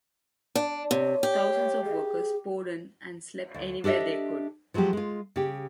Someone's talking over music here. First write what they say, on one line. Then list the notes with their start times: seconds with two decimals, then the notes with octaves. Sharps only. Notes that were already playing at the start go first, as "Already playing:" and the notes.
Thousands of workers poured in and slept anywhere they could.
0.55 D4
0.91 C3 C#5
1.23 G4
1.85 G#4
3.54 D2
3.84 D4 G4 A4 D#5 E5
4.74 F3 F#3 G#3 A3 G4
4.93 G#3 F4
5.36 C#3 G4